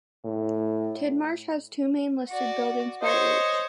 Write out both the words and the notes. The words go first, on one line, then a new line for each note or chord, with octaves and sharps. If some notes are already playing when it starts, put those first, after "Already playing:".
Tidmarsh has two main listed buildings by age.
A2
F#4 D5
C5 C#5 D#5